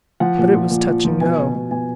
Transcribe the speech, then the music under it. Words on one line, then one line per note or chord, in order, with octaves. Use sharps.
But it was touch and go!
F3 F#5
A#2
F3
A#2
F3
F3
B2 G#5
B2
B2
B2 G#5